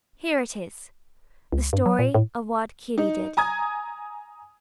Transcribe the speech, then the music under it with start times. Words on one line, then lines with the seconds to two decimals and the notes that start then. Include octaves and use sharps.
Here it is--the story of What Katy Did.
1.52 C#2
1.73 G2
1.86 F#3
1.99 A#2
2.15 A2
2.98 D#4
3.37 G#5 A#5 D#6 G#6